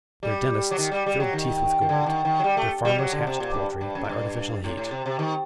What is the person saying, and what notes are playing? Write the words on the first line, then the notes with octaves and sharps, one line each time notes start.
Their dentists filled teeth with gold; their farmers hatched poultry by artificial heat.
G3
F#3
D#3
G3
G3
F#3
D#3
D#3
D3
D#3
D#3
F#3
G3
A3
G3
F#3
D3
C3
A#2
G2
G2
F#2
A2
G2
A2
A2
C3
C3
D#3